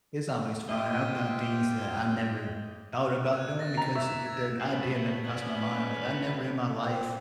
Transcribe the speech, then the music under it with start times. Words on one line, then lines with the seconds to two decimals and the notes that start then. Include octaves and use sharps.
is always fun. I've done things that I never thought about doing because the idea never crossed my mind, like, I never in my life,
0.68 F4 G4 C5 D#5 E5 G5
3.33 F#6 G#6
3.59 A6 A#6
3.77 A#5
3.95 E5
4.26 G#6
4.60 A3 B3 C4
5.28 C#4 D5
5.61 B4
6.05 A2 D3
6.84 C4